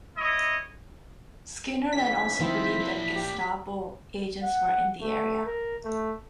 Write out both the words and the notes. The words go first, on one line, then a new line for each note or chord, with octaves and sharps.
Skinnarland also believed that Gestapo agents were in the area.
E4 C#5 D#5
G#2 C#3 E3 B6
D#3 F3 C4 E4
A#3 D4
G4
F#5
A3
A#4
A3